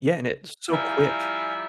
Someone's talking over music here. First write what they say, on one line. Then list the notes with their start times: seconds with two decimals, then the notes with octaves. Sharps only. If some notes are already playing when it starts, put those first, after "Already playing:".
Yeah, and it's so quick.
0.72 F3 G3 E4 F5 G#5 A#5